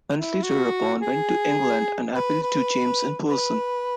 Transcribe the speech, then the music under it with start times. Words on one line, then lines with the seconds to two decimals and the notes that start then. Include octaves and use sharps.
Huntly thereupon went to England and appealed to James in person.
0.16 E4
0.43 F#4
1.01 G#4
2.15 B4
2.43 B4
3.28 B4